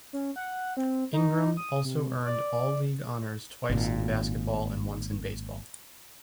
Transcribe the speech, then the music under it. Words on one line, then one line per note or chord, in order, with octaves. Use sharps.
Ingram also earned All-League honors twice in basketball and once in baseball.
C#4
F#5
C4
D#4
D#6
C3
D5
G#1 A#2